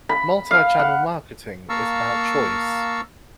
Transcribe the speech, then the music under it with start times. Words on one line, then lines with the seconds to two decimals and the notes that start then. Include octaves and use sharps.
Multichannel marketing is about choice.
0.09 B5
0.51 F5
0.79 F#5
1.69 A#3 F5 A5 A#5 C#6 E6